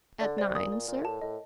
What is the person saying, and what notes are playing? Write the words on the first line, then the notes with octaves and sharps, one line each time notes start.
"At nine, sir?"
D3 D5
C3 D5
A#2 D#6
D5
A#2 A#4
A2 A5
A2 D#5